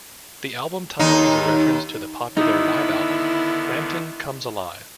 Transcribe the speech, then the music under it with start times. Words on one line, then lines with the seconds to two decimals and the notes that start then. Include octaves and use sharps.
The album title is a reference to the popular live album "Frampton Comes Alive".
0.99 D#2 D#4
2.37 D3 D#3 B3 D#4 E4